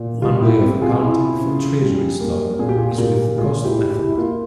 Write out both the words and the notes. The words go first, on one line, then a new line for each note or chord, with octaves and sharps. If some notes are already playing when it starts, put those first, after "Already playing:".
One way of accounting for treasury stock is with the cost method.
Already playing: A#2
G3 F4
E4 G4
C4
F4 G#4
E4
C#3
G3
A#3
A#2 G#4
G4
F4 G#4
G#4
A#2 G4 A#4
G#3 F4 G#4
E4 G4
E4
E4 G4
E4
A#3 F4